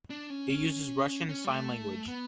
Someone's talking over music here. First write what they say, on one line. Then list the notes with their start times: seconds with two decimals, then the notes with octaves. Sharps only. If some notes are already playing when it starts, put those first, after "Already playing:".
It uses Russian Sign Language.
0.10 D4
0.30 C#4
0.50 C#4
1.29 C#4
1.44 G3
1.48 A3
2.08 B3